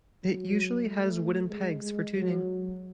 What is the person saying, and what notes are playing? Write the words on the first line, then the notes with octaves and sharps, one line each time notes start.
It usually has wooden pegs for tuning.
F#3
A3
G#3
G#3
F#3